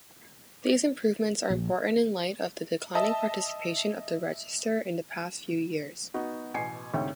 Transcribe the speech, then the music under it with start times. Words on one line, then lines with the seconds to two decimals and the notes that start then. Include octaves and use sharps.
These improvements are important in light of the declining participation in the Register in the past few years.
1.50 A#1
2.95 D#5 E5 A5
6.14 B3 D#4 F#4
6.54 A1 B2 G#5 C7 C#7
6.94 D2 G#2 C3 C#5 E5 G5